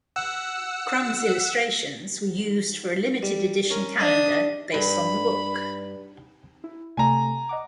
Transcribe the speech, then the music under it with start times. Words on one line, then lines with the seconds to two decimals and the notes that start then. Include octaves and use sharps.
Crumb's illustrations were used for a limited-edition calendar based on the book.
0.16 F#5 E6
3.23 G3
3.70 C#4 A#4
3.99 D4 D5 D#5 F5 D#6
4.74 G2 B5
6.64 E4
6.97 C3 A3 G#5 A#5
7.49 D#5 F#5 D6